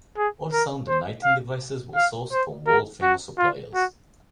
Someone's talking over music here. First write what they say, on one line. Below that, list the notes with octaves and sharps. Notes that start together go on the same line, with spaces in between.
All sound and lighting devices were sourced from world famous suppliers.
G#4
A#4
C5
F5
F5
C5
A#4
F#4
F4
F#4